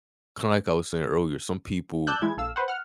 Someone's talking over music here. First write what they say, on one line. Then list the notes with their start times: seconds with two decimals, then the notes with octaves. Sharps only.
kinda like I was saying earlier, some people
2.07 D5 A5 E6 F#6 G6
2.22 E3 G#3 E4 G#6
2.37 A#1 A4 F5 E6
2.56 B4 C5 F#5
2.68 F#5 F6